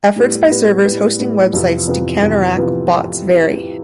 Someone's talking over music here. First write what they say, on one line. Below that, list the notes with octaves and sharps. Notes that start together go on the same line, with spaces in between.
Efforts by servers hosting websites to counteract bots vary.
A2 G3 B3
A2 G3 B3
A2 G3 B3
A2 G3 B3
F2 C3 E3 B3 F4
F2 C3 E3 B3 F4
F2 C3 E3 B3 F4
F2 C3 E3 B3 F4